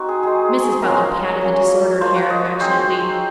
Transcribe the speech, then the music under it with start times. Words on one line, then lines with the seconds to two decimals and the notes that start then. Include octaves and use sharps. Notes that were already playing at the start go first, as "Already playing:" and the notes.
Mrs. Butler patted the disordered hair affectionately.
Already playing: C4 D#4 F#4
0.09 G#4
0.23 G#3 D#4 G#4
0.72 G#4
0.82 G#3 C#4 F4 A#4
1.41 F#3 A#3 C#4
2.01 F3 A#3 F4 C5
2.16 F#4
2.30 D#5
2.45 C#5
2.60 G#3 C4 D#4 C5